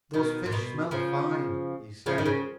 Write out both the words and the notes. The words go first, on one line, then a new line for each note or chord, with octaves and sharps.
"Those fish smell fine," he said.
B2 D#3
A#2
B2
C#3 F3
C#3 F3
D#3
C#3